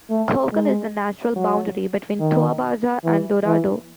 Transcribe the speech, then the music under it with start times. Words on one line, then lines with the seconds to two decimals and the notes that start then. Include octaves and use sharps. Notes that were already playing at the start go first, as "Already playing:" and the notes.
Cocal is the natural boundary between Toa Baja and Dorado.
0.10 A3
0.52 G#3
1.36 F#3
2.20 D#3
3.04 E3
3.45 E3